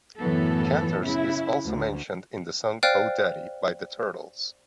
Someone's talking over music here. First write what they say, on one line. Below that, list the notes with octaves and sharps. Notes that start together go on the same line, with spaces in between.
Canter's is also mentioned in the song, "Oh Daddy," by The Turtles.
F#2 A2 E3 F#3 B3 A4
C#3 E4
D2
C5 D5 F5 G5 F6 F#6